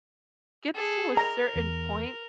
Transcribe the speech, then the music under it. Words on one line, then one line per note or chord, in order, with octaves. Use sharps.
gets to a certain point
G#4 A4
A#4 A#5
E2